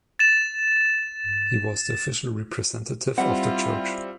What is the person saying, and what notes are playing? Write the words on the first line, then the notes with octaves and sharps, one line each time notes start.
He was the official representative of the church.
A6 E7
G3 C4 E4 F4 F#5